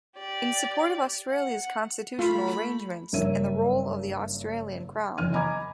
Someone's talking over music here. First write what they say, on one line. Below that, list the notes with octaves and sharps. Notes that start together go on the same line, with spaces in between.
In support of Australia's constitutional arrangements and the role of the Australian Crown.
G4 D5
F#5
A3 F4 B5
F#1 G2 A#4 C#5 E5 D#7
F#1 E3 F6 D#7
D#5 G#5 A#5 B5 D6 G#6